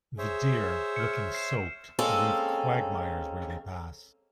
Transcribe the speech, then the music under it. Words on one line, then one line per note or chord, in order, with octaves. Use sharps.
The deer, looking soaked, leave quagmires where they pass.
G#4 C5 C#5 E5
F6 C#7
C7 E7
G#3 A#3 C4 C#4 A4